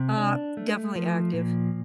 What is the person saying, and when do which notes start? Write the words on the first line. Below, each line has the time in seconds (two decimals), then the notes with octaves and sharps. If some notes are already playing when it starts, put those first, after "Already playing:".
Uh, definitely active.
Already playing: C3
0.17 D4
0.57 A3
0.95 F3
1.33 A#2